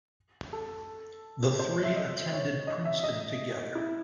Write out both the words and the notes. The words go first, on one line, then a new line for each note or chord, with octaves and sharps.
The three attended Princeton together.
A4
C5
C#5
E5
D#5
C#5
D#5
E5
D#5
E4